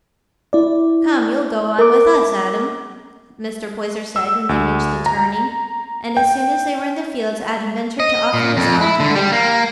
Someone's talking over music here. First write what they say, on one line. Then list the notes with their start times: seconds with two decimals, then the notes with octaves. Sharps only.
"Come, you'll go on with us, Adam," Mr. Poyser said when they reached the turning; and as soon as they were in the fields Adam ventured to offer his arm to Hetty.
0.53 E4 D5
1.79 A#4 D6
4.16 E6
4.49 D2
5.06 A#5
6.17 G5
8.00 D#5
8.34 A#2
8.57 F2
8.81 E4
9.00 D3
9.15 G3
9.32 A#3